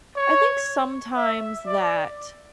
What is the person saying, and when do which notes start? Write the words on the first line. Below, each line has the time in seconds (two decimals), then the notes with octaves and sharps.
I think sometimes that,
0.16 C#5
1.17 E5
1.66 D5